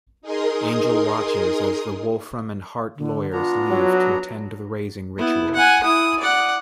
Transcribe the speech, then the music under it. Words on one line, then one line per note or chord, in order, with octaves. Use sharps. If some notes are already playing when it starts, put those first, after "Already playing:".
Angel watches as the Wolfram and Hart lawyers leave to attend the Raising ritual.
D#4 G#4 A#4 C6 D#6
D3
B3 D4 F4 A#5
F#3
B3 E4
F#5 G#5
E4 D#6
D5 F#5